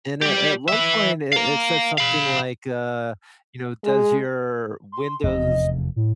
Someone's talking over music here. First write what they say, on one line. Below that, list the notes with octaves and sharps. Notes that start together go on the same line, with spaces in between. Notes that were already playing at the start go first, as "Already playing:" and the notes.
and at at one point it it said something like, uh, you know, "Does your Windows,
G4 D5
B4 E5
F5 A#5
F5 B5
G#3
C6
F1 E2 D#5
A2